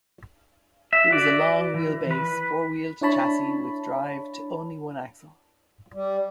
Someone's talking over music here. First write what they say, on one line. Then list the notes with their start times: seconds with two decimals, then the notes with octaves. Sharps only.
It was a long wheelbase four wheeled chassis with drive to only one axle.
0.93 E5
1.11 F#4 D5
1.74 E3
2.11 B4
3.01 D4 E4 C#5 A5 B5
5.94 G3